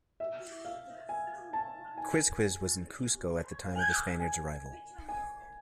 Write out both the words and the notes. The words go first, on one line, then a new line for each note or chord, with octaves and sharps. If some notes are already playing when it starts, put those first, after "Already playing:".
Quizquiz was in Cusco at the time of the Spaniards' arrival.
E5
F5
G#5
A5
G#5
F5
G#5
G#5
G#5